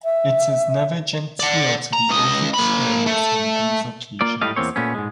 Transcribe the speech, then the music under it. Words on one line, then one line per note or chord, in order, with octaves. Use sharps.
It is never genteel to be over-curious on these occasions.
E5
D5 F#5
A#5
C#2 D#5
A#3 B5
A3
A#3 F4 D5
A2 G3 A3 D#5 F5
E2 A#3 C4 C#5
A#2 A3 B3 C#4
G#2 G#3